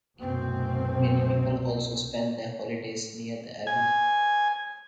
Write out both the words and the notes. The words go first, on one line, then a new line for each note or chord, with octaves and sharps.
Many people also spend their holidays near the abbey.
C2 F#2 B2 A3 C4
G#5